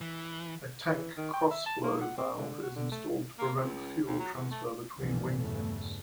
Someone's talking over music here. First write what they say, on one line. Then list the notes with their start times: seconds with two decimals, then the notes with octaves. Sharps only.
A tank cross-flow valve is installed to prevent fuel transfer between wing tanks.
0.01 E3
0.90 E3
1.17 D#3
1.33 G5
1.51 E5
1.66 A5
1.84 A#3
2.02 F#5
2.17 C4
2.38 D3
2.63 F#4
2.76 D3
2.92 A3
3.39 A#3
3.58 C#2
4.06 D2
4.20 F#3
4.34 E2
4.51 A3
4.97 C2 F#2 A#2 D3 E3 F3
5.38 E2 G2 C#3 A3